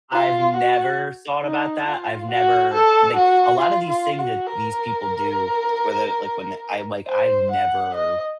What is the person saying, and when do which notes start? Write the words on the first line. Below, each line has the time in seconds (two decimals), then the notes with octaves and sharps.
I've never thought about that. I've never, like, a lot of these things that these people do, whether, like when I'm, like, I've never
0.13 F4
0.57 F#4
1.43 D#4
1.87 F4
2.31 F#4
2.74 A4
3.16 F#4
3.60 F4
3.90 F4
4.19 F#4
4.47 A#4
7.07 C5
7.52 F#5
7.95 D#5